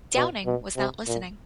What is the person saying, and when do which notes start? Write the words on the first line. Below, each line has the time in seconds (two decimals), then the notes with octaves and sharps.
Downing was not listening.
0.15 B2
0.46 B2
0.76 C3
1.07 A#2